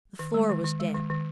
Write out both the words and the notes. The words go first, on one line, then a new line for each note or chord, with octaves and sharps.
The floor was damp.
D#3
G#3
D#3
D#3
G#3
D#3
D#3